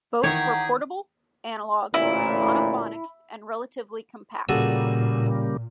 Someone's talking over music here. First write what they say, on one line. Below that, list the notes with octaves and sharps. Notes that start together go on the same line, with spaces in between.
Both were portable, analog, monophonic, and relatively compact.
D#3 E3 G4 G#4 C#5 F#5 A#5
A1 D2 A#2 E4
A#2 C#3 G3 A#3 F#4 G#4 A4